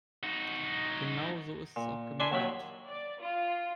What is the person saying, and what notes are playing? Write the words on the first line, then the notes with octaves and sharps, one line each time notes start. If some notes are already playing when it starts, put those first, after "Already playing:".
Genau so ist es auch gemeint.
D#4 F#4
A#2
D4 E4 D5 E5 G#5 C6
D#2 D#3 F#3 E4 B5
D5
F4